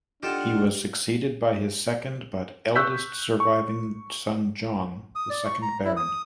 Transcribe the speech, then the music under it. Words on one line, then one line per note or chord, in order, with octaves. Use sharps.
He was succeeded by his second but eldest surviving son John, the second Baron.
D4 D#4 F4 G4 A4 F#5 C6 F6
C#6 E6 F#6 G6 B6
C#6
D#6
D5
C#6
A#5
E4
D#6